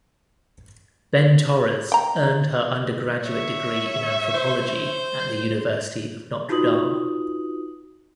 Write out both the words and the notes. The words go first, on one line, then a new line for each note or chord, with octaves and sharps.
Benn Torres earned her undergraduate degree in anthropology at the University of Notre Dame.
G5 A#5
C#5 E5
C5
D#4 F4 F#4 B4 D#6 F#7